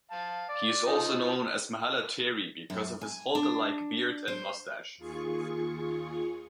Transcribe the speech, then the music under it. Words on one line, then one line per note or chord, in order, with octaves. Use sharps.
He is also known as "Mahaletere" because of his halter-like beard and mustache.
F5 A5
D5
F3 D#4
F#2
G#5
D4
C5
D#2 F4 G#4 C#6